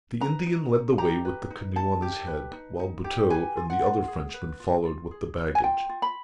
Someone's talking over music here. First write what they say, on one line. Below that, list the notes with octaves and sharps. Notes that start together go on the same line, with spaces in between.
The Indian led the way with the canoe on his head, while Buteux and the other Frenchman followed with the baggage.
B4 A#5
D#4
D#4
G4 A#5
B4
D#4
D#4 A5
G4
B4
D#4
D#4
G4
B4 G#5
F4
F#5
F4
G#4
B4
F4
F4
G#4
B4
G#5
F4 G5
F4
B5